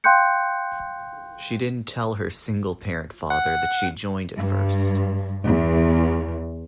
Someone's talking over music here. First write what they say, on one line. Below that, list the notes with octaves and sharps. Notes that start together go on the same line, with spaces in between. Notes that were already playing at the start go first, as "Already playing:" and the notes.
She didn't tell her "single parent father" that she joined at first.
F5 G5 C6 F#6 G6 C#7
F#5
G2
E2